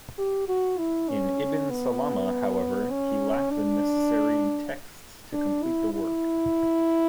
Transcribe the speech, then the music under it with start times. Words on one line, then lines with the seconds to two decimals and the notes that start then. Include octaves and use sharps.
In Ibn Salama, however, he lacked the necessary texts to complete the work.
0.18 G4
0.48 F#4
0.79 E4
1.09 C#4
1.70 B3
2.91 C#4
3.51 D4
5.33 D4
5.63 E4
5.93 E4